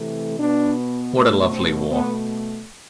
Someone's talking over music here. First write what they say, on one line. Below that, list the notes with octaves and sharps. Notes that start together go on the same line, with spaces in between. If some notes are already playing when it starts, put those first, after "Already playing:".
What a Lovely War.
Already playing: C3 E3 A3
B2 B3 D4
B2 A3
C4
B2 A3 B3